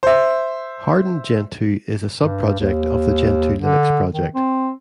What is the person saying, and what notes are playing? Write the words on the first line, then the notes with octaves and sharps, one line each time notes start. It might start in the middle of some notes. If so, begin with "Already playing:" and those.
Hardened Gentoo is a sub-project of the Gentoo Linux project.
C5 E5
G2
D#2
D3
D#3
C4